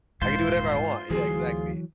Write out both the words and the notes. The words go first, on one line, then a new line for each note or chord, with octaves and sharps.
I can do whatever I want, yeah, exactly.
D#1 G#2 F4 C5
D2 E3 F#3 G#4